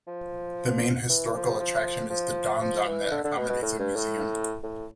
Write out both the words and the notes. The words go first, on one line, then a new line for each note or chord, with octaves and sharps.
The main historical attraction is the donjon that accommodates a museum.
F3
E3
F3
F3
F3
F3
E3
D3
D3
B2
B2
A2
G2
A2
A2